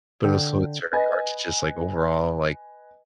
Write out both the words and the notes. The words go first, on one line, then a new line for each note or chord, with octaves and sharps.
but also it's very hard to just, like, overall, like,
D3 G5
B4 D#5 G#5